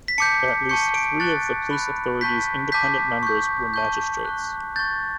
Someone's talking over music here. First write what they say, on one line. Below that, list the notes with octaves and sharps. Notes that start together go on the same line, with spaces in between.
At least three of the police authority's independent members were magistrates.
B6
A5 D6 G6 C#7
A5 C#6 G6 C#7
D7
C#6 F#6 A6
B5 F#6
A5 C#6 G6 B6
A5 D6 G6 B6
C#6 G6
A5 C#6 G6
C#6 F#6
C#6 G6 A6